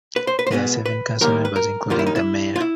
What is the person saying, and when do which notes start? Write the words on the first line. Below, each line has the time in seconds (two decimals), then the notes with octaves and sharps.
There are seven council members, including the mayor.
0.16 B4
0.27 C5
0.39 B4
0.47 C5
0.51 C2 B2 G#3 B3 B4
0.86 B4
1.21 D#2 D#3 G3 A#3 A#4
1.45 B4
1.56 A#4
1.90 D#2 D#3 G3 A#3 F4
1.99 E4
2.07 D#4
2.16 E4
2.56 F4
2.60 E4